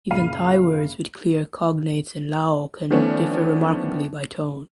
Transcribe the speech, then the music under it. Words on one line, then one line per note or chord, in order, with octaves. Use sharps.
Even Thai words with clear cognates in Lao can differ remarkably by tone.
F#1 A#2 F5 B5 D#7
D#3 F3 A3 B3 C#4 D4